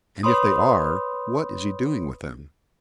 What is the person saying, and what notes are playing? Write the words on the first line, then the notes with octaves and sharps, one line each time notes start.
"And if they are, what is he doing with them?"
B4 C#5 B5 C6 D#6